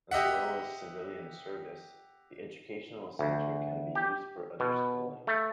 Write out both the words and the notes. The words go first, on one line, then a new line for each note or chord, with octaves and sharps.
As well as civilian service, the Educational Center can be used for other schooling.
G4 D#5 E5 F#5
D2
G4
B2
A3